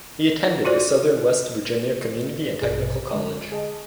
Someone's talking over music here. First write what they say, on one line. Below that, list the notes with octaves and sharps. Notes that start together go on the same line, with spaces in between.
He attended the Southern West Virginia Community and Technical College.
F4 F#4 C5 D5
A#1 G2 B2 G#4
D3 G#3
G#4 D#5 A5